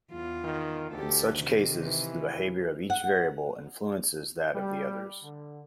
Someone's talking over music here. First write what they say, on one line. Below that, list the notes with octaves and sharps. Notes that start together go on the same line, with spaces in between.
In such cases, the behavior of each variable influences that of the others.
E2 F4
D#3
D2 G4 A4
C3 D#3
E3
F#5
G3
D3